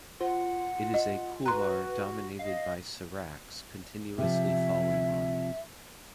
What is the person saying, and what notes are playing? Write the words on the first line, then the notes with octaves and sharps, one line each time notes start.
It is a couloir dominated by seracs continuously falling on it.
F4 C5 F#5
D#5
F#4 B4 A#5 C6
D#5 F5
C3 F3 E5